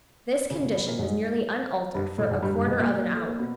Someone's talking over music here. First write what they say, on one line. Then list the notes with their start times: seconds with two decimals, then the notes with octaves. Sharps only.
This condition was nearly unaltered for a quarter of an hour.
0.50 C#3 C#4
0.62 C#3 C#4
0.74 B2 B3
0.87 A#2 A#3
0.99 G#2 G#3
1.95 G2 G3
2.18 A2 A3
2.31 G#2 G#3
2.42 G2 G3
2.54 G2 G3
2.67 G#2 G#3
2.79 A#2 A#3
2.91 A#2 A#3
3.15 A3
3.27 A#3
3.39 B2 B3